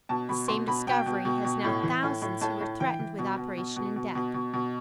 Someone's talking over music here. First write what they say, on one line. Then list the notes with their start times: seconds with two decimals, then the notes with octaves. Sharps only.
The same discovery has now thousands who were threatened with operation and death.
0.09 B2 A5
0.29 B2 B5
0.48 B2 C6
0.67 B2 B5
0.87 B2 G5
1.06 B2
1.25 B2
1.45 B2
1.64 A2
1.83 E3
2.03 A2
2.22 A2
2.41 A2 A5
2.61 A2
2.80 E3 G5
2.99 E3
3.19 B2
3.38 B2
3.57 B2
3.76 B2
3.96 B2
4.15 B2
4.34 B2
4.53 B2